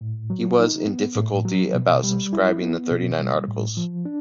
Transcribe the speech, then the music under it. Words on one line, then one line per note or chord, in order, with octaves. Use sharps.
He was in difficulty about subscribing the Thirty-Nine Articles.
A2
F#3
D#4
B3
A2
F#3
B2
G3
E4
B3
B2
G3
A2
F3
D4